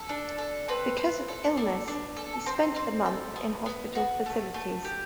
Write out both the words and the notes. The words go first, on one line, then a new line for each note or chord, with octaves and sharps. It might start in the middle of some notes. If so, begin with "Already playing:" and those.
Because of illness, he spent the month in hospital facilities.
Already playing: A4
D4
A4
C4 B4
C4
A4
D4
D4
A4
C4 C5
C4
A4
B3
B3
F#4
A3
A3
G4